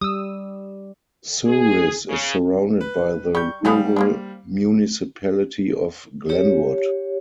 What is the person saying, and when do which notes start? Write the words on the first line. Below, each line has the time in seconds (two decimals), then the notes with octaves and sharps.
Souris is surrounded by the Rural Municipality of Glenwood.
0.01 G3 D#6 E6
1.46 G#4
2.08 C#3
2.81 B4
3.35 G3 C#6 G6
3.65 G3 B3 C4 G#4 F5
3.96 A#3 C4 D4
6.29 G4 C#5